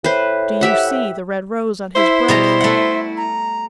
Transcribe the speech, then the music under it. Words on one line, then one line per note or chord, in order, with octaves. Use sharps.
Do you see the red rose on his breast?
A2 B4 C5
G4 E5 F#5
E4 C5 E5
B2 G3 G#4 A#5
A3 E5 F#5
A#5